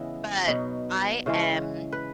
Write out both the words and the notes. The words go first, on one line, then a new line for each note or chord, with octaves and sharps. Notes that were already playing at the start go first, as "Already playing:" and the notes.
But I am
Already playing: C#3 E3 B3 E4 D#5
B2 F#3 B3 D#4
C#3 E3 G#3 C#4
B4